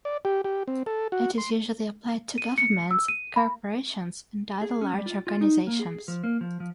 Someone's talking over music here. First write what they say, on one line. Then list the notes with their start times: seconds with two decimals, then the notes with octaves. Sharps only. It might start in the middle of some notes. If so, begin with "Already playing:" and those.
It is usually applied to governments, corporations, and other large organizations.
0.05 D5
0.25 G4
0.44 G4
0.68 C4
0.86 A4
1.12 F#4
1.38 C6
2.38 D#7
2.58 C#7
2.91 E6
3.08 D#7
3.36 B5
4.62 G#4
4.81 C#4
4.93 G3
5.06 F4
5.27 F4
5.41 D#4
5.67 A#3
5.79 G#4
6.08 F3
6.24 A#3
6.41 F3
6.60 F3